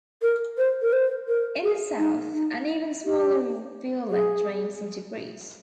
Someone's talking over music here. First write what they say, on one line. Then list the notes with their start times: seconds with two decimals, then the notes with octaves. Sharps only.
In the south, an even smaller rivulet drains into Greece.
0.22 A#4
0.58 C5
0.82 A#4
0.93 C5
1.28 A#4
1.63 G#4
1.98 D#4
2.33 D#4
3.04 G4
4.10 G#4